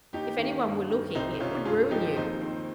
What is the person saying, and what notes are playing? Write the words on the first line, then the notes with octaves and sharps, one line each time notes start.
If any one were looking, it would ruin you.
D#2 D#4 G4
D#3
G2
D#3
C2 C4 D#4
C2 C#4 F4
G2 F4 G#4
F3 D#4 G4
D#2 C4 D#4
D#3 C4